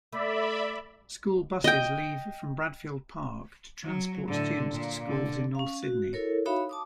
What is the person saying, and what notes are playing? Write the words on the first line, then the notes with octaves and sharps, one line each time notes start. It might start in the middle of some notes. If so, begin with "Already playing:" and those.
School Buses leave from Bradfield Park to transport students to schools in North Sydney.
A3 D5 E5 B5
D#5 G5
F#3
A2 D3
A#2
D3
C#4 F5
F#4
E4 A4 A#4 C#5
D#4 F#4 C#5 E5 F5 B5
A5 D6 D#6